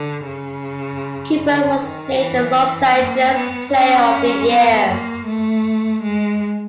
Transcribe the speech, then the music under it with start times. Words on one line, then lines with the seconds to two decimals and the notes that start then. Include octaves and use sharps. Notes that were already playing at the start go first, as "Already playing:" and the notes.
Cooper was named the Los Angeles Player of the Year.
Already playing: D3
0.26 C#3
1.42 D3
1.80 D#3
2.18 E3
2.95 A#3
3.34 B3
3.73 C#4
4.49 B3
4.88 A#3
5.26 A3
6.03 G#3